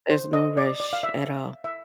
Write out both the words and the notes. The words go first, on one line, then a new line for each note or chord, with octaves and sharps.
There's no rush, at all.
C5
D#5
D5
D5
F5
E5
E5